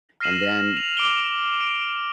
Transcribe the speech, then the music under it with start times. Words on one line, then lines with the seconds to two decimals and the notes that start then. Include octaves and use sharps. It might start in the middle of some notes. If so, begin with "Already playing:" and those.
and then
0.20 F6 A#6 C7 D#7 E7 F#7
0.77 E7 F7
0.97 D6 D7 F7 G7
1.61 D7